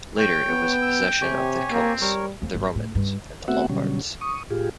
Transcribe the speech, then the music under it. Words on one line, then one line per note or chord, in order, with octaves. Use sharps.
Later it was a possession of the Celts, the Romans and the Lombards.
C#5 G5
B3
E6
C3 G4 C#5 G#5
A#3 C4
G3 A#4 C#5
F2
G1
A2
G2
A3 B3 C4 F#4 E5 F#5
B2 D3 F#3 G3 C#4
C#6 D#6
A2 F4 G4 G#4